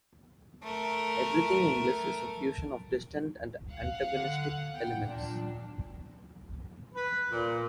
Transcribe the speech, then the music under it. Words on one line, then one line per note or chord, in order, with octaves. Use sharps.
Everything English is a fusion of distant and antagonistic elements.
A3 A#4
F5 F#5
D3
B3 F#5 G5
A#2 D4
B4
A#2